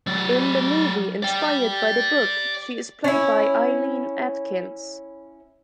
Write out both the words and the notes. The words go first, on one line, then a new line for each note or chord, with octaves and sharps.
In the movie inspired by the book, she is played by Eileen Atkins.
F#3 D5
D5 G5
C#4 E4